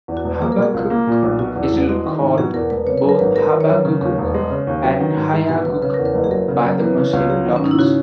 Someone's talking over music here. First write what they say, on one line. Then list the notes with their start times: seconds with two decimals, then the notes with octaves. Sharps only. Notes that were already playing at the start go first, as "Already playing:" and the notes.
Habakkuk is called both Habaghugh and Hayaghugh by the Muslim locals.
0.08 E2
0.17 F#4
0.24 E1
0.41 A#3 G#4
0.52 A#4
0.58 B2 G#4
0.74 C#2
0.90 A#3
1.07 A#2
1.23 B1
1.39 B2 F#4
1.56 E2
1.64 E4
1.73 E1
1.89 G#3 F#4
2.06 D#3
2.22 G#2
2.38 B2 G#4
2.54 E2 A#4
2.70 E1 B4
2.87 C#3 C#5
2.98 B4
3.03 F#2
3.09 A#4
3.19 G#1 B4
3.36 G#3 A#4
3.53 D#3
3.61 C#5
3.69 F#2
3.85 C#3
4.02 D#2
4.18 E1
4.34 G#3
4.50 C#3
4.67 D#2
4.84 F#3 B4
5.00 D#3
5.17 G#2
5.33 G#3
5.49 B2 B4
5.65 B1 B4
5.82 C#3 B4
5.94 A#4
5.99 E2
6.05 B4
6.15 F#1
6.24 G#4
6.31 F#3 A#4
6.48 C#3
6.64 F#2
6.80 E3 B4
6.98 C#3
7.13 C#2
7.30 F#3 G#4
7.46 D#3
7.56 C#4
7.62 G#2 D#4
7.71 E4
7.78 C#3 F#4